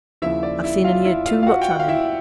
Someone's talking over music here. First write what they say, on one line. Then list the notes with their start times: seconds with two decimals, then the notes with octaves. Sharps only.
'I've seen and heerd too much on him.'
0.22 D#2 C#3 F3 E4 E5
0.43 D5
0.64 E4 E5
0.84 F4 F5
1.05 E4 E5
1.26 F4 F5
1.43 F5
1.47 F#4 F#5
1.61 G5
1.70 F#5
1.80 F5
1.88 E4 E5